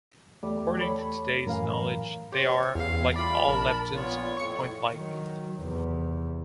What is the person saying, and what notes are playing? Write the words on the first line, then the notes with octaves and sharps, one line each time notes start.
According to today's knowledge they are, like all leptons, point-like.
E2 G3 A3
A4 C#5 B5
F#2 A2 E3 A#4 F5 G#5
G4 C5 C#5
E2 C#3 C4 F5
G3 A3 F4 D5 B5
A#1 A#4 A5
A#2 B3 F4 C#5
F2 A2 C#6 C#7
D#3 F#3
E2 C3